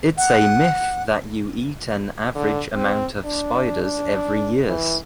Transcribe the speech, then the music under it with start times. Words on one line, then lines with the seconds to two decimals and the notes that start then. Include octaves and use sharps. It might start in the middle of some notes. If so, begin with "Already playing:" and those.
It’s a myth that you eat an average amount of spiders every years.
0.17 F#5
2.35 D3
2.75 C4
3.25 D4
3.82 D4
4.68 E3